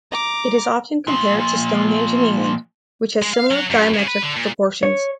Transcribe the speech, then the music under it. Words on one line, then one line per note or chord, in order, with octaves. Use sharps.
It is often compared to Stonehenge in England, which has similar diametric proportions.
A#5 D6
A#2 F3
G#3
F5
F#3
F#2
C#3
B4
D3
A#2
C#5